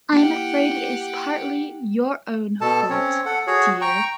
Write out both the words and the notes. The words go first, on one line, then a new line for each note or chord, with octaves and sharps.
I'm afraid it is partly your own fault, dear.
A#3 E4 G4 F#5
B2 A4 A5
C4 C#4 C#5
A4 F#5
F#4 G#4 C#5
G5 A#5 C#6